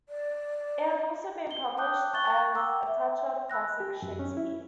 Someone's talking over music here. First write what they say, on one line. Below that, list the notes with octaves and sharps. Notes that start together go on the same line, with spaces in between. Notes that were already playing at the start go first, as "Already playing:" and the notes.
It has also been published as A Touch of Classics - Shakespeare.
D5
G7
G5 A5 D6 D#6 F#6 G6
G5 C#6 F#6 A6 G7
F#5 G5 A#5 D6 E6
E5
B5 E6 F#6 A#6
G4
F#2
C#4
E4